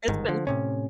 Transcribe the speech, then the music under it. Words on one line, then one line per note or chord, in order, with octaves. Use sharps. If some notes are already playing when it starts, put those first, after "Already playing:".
It's been
G1 G#2 D#3
D3 F3
A2 C3 C#4